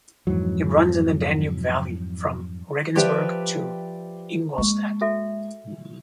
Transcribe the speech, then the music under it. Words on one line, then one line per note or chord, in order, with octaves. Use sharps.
It runs in the Danube valley from Regensburg to Ingolstadt.
F2 G#2 E3 F#3
F3 G4 B4 D5 E5 G5
G#3 A#3 C#6
F#4 A4 E5